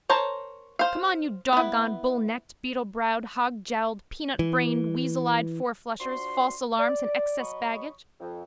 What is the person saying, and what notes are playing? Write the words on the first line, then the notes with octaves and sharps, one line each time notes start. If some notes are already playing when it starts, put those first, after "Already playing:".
Come on, you dog-gone, bullnecked, beetlebrowed, hogjowled, peanutbrained, weaseleyed fourflushers, false alarms and excess baggage!
A#4 C5 C#5 A5 A#5
C5 F5
B3 E4
E3
F3 D4 F#4 C5 C6
D5
F#3 D#5 B5 C#6
F2